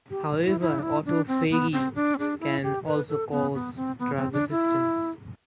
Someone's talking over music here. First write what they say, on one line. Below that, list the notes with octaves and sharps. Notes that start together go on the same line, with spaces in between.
However, autophagy can also cause drug resistance.
G4
E4
E4
D4
E4
D4
C4
B3
C4
D4
C4
D4
E4
G4
B4
A4
B3
B3
C4
B3
C4
D4
E4